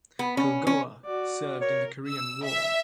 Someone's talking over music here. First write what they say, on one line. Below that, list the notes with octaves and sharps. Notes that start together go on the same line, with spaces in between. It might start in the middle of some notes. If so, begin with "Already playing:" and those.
"Culgoa" served in the Korean War.
B3
C#4
C#4
F#4 D5
A#4 C#5
E6
E5